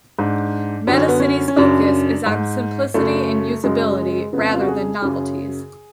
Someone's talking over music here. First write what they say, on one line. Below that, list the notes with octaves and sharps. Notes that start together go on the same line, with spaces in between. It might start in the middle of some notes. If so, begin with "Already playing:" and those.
Metacity's focus is on simplicity and usability rather than novelties.
G#2 D4
F#2 D3 D4
C#4
B3
C#4
C#4
F#2 C#3 D4
G#2
F#2 C#3 A3
F#2 C#3 G#3
F2 C#3 B3
F4
F#4
G#4
F#2 C#3